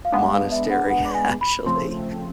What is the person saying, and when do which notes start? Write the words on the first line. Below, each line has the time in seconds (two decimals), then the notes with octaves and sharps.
monastery, actually.
0.05 F5
0.12 G#3 B3 D4 F#5
0.32 F5
0.52 E5
0.71 F#5
0.90 F#5
1.14 G#5
1.41 B5
1.66 C#3 F3 A3 C4 C6